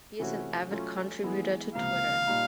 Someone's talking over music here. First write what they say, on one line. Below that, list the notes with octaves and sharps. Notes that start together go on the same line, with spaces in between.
He is an avid contributor to Twitter.
C3 E3 A3 C#4 F#4
F#3 A3 C#4 F4
E3 G#3 B3 E4
C#2 C3 F3 A#3 F5
A#2 G3 A#3 D#4